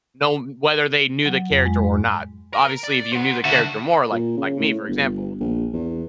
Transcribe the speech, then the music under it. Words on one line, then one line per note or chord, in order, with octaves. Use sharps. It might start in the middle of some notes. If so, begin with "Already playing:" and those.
no whether they knew the character or not. Obviously, if you knew the character more like like me, for example,
F#3
F2
G#3
G#2
A#4
D5
C5 F#5
D3 F#4 E5
A#2
C#3
A2
G1
A#1
E2